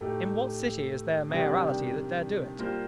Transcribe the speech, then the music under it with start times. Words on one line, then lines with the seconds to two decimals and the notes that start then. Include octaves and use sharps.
In what city is there a mayoralty that dare do it?
0.01 A2 A3 D#4 G4
1.30 C3 D#3 G3 D4 G4
2.59 G3 A#3 F4 C5